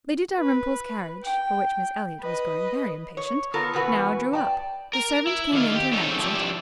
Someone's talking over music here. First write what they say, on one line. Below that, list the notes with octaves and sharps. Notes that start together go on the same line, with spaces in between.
Lady Dalrymple's carriage, for which Miss Elliot was growing very impatient, now drew up; the servant came in to announce it.
B4
G5
B4 D#5
C#5
B3 F4 A4 A#4
B2 E3 F#4 B4
D5 G5 A5
A#4
E4
D3 D#3 F5
G4
G#3 C4 C#4 D#4 A4
F3 D4 E4 F#4 G4